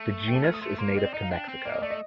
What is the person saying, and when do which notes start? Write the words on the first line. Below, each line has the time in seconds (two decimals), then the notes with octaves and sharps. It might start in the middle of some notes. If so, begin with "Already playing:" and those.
The genus is native to Mexico.
Already playing: A3
0.28 G5
0.36 A5
0.44 F6
0.54 D#6
0.61 A3 C6
0.79 A#3 C6
0.96 C4 D#5
1.05 D5
1.13 D#4 D#5
1.22 F5
1.31 D4 G5
1.48 C4
1.65 A#3 D5
1.74 D#5
1.82 A3 D5
1.90 D#5